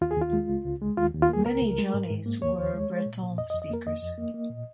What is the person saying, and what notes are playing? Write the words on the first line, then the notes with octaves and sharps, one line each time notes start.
Many Johnnies were Breton-speakers.
D#2 F4
G#4
D#2 F4
G#3
C#2
C#2
G#3
D#2 F4
D#2
F4
A#3 G#4
C#2 A#4
C#2
G#3
G#2
G#2
A#3
D#2 C#5
D#2
G#3
G#3
A#2
A#2
F2 D#5
D#5
F2
D#5
A#3 A#4
F2 D#5
F2
A#3
A#3
A#2